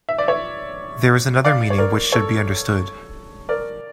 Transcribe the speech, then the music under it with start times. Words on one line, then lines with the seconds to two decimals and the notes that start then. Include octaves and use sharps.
There is another meaning which should be understood.
0.09 E5
0.18 D5
0.28 C#5 E5
1.45 D5 F5
1.70 C#5
1.78 A#4 D5
2.12 A4 C#5
3.49 A#4 D5